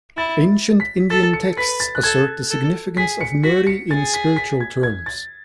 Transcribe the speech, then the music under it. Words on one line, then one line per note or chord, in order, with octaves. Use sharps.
Ancient Indian texts assert the significance of "Murti" in spiritual terms.
E4 A6
B6
A4 A6
C#7
B4 B6
A6
F#6
A4 G#6
A4
G#4 B6
C#7
F#4 B6
C#7
G#4 A6
B6
B6
G#6
G#6
A6